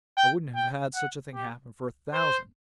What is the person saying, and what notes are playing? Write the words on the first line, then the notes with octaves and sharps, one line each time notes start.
I wouldn't have had such a thing happen for a thousand!
G5
G5
F#5
G4
C5